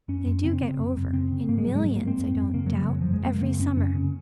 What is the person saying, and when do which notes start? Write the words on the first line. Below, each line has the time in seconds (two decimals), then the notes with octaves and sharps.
They do get over, in millions, I don't doubt, every summer.
0.08 F#2 C#4
0.26 F#2
0.44 C#3 C4
0.61 C#3
0.79 F#2
0.97 F#2
1.13 C#3 C4
1.31 C#3
1.48 G#2 A#3
1.58 G#3
1.66 G#2 F#3
1.76 G#3
1.84 G#2 F#3
1.96 A#3
2.02 G#2
2.07 C4
2.19 F#2
2.37 F#2
2.54 C#3 A#3
2.66 F#3
2.72 C#3
2.78 F#3
2.89 F#2 F#3
3.01 F3
3.07 F#2
3.13 G#3
3.24 C#3 A#3
3.42 C#3 C4
3.59 F#2 C#4
3.77 F#2 C#4
3.94 C#3